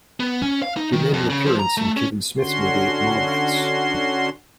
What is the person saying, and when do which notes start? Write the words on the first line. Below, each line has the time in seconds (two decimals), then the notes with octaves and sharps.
He made an appearance in Kevin Smith's movie "Mallrats".
0.20 B3
0.42 C#4
0.62 F5
0.77 D#4
0.93 D#3
1.13 F2
1.30 C#3
1.46 F3
1.60 A#5
1.77 A3
1.97 C#4
2.38 D3 C#4 F#4 C6